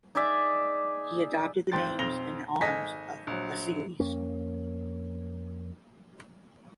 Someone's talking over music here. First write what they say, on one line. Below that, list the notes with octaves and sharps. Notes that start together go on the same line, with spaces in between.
He adopted the name and arms of Lascelles.
D#4 G#4 D5 E5
G#1 C4 G5 C6 A6
B1 F2 C4 A#6 F7 G7
G#1 A4 D#5 G#5 A#6 B6
A#1 F#3
F2 A#3 C#4